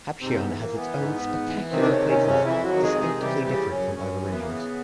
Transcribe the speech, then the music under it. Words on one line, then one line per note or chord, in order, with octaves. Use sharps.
Hapcheon has its own spectacular places distinctively different from other regions.
G#2 C3 C4
B3
E3
A#3
E3
B3
G#2
G#2
E3
C3 D#3 C4
D4
C#3 C#4
C3
C#3 C#4
F2
C#3 C#4
F2 E3 E4
F#3 F#4
D#3
G#3 G#4
C3
G#3 G#4
E3 G3 G4
C#3 G3 G4
F#2 C#3 C#4
F#2 C#3 C#4
E3
B3
A#3
C#3 B3